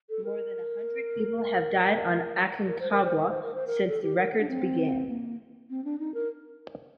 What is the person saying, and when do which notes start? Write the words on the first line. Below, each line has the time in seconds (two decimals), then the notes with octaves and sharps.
More than a hundred people have died on Aconcagua since records began.
0.10 A4
0.24 A#4
2.67 A#4
2.80 C5
2.91 A#4
3.04 C5
3.16 A#4
3.29 C5
3.42 A#4
3.54 C5
3.67 A#4
3.88 A4
4.03 G4
4.18 A#4
4.33 A4
4.41 D4
4.49 C4
5.09 A#3
5.70 C4
5.85 D4
5.99 D#4
6.14 A#4